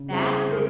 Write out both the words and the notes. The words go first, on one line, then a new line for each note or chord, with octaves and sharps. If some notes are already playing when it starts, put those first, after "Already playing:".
That is
Already playing: C#3
G3 C4 E4 G#4
C#3 A#4 C5